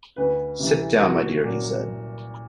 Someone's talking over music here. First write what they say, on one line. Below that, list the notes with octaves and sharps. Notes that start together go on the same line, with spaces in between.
"Sit down, my dear," he said.
D2 B4
C3 E3
C2 F#4
A#2 F#3